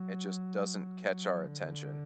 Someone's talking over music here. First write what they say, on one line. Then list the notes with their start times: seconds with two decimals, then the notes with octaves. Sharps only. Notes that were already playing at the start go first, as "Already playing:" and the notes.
it just doesn't catch our attention,
Already playing: F#3
1.07 F#3
1.46 D3